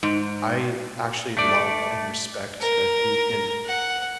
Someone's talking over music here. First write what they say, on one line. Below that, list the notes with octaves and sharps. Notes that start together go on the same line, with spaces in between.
I actually love and respect that you can
G#2
A3 D5
A#4
F#5